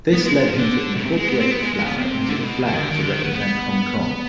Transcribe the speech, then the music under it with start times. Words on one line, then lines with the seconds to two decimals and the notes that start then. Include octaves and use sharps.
This led him to incorporate the flower into the flag to represent Hong Kong.
0.13 B3
0.25 G#3
0.36 G#3
0.48 F3
0.59 D3
0.97 B2
1.05 C3
1.17 G#3
1.28 B3
1.40 C4
1.51 B3
1.62 G#3
1.74 G#3
1.85 B3
1.97 C3
2.29 D3
2.36 C3
2.43 B2
2.66 D3
2.73 D#3
2.81 D3
2.89 D#3
3.00 D3
3.12 D#3
3.23 B3
3.35 B3